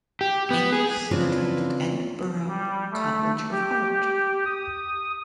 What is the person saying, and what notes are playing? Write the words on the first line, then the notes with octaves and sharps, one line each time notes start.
Angus attended Edinburgh College of Art.
G4
B3
G#4
C#3 C4 D4 E4 F4 B4
G3
A3
G4
D#6